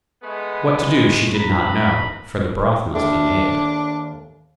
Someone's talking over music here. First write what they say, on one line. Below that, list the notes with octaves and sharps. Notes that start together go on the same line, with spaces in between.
What to do she did not know, for the broth must be made.
G#3 A3 B3
A#4 B4 A#5 B5
D#2 D4 A4 E5